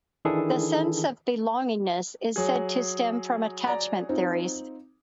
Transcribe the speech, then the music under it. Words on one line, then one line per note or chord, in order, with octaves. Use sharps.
The sense of belongingness is said to stem from attachment theories.
D#3 E3 D4 E4 G#4 A4
F#3 G#4
D5 A#5
C4 D#4 F4